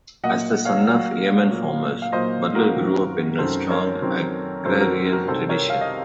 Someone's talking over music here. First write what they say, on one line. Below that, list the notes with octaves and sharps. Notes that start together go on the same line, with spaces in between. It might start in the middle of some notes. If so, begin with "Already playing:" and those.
As the son of yeoman farmers, Butler grew up in a strong agrarian tradition.
A#2 F#3 A#3 D#5 F#5
C#5 F5
A#2 F#3 A#3
A#2 F#3 A#3
F5
A#2 F#3 A#3 C5 D#5
F#4 A#4
F#2 D#3 F#3 C4
F#2 D#3 F#3 C4 A4 C5
A#4 C#5
F#2 D#3 F#3 C4
F#2 D#3 F#3 C4 A4 C5
F#4 A#4
F#4 A#4
C2 C3 D#3 A4 C5
A#4 C#5
F5
D#5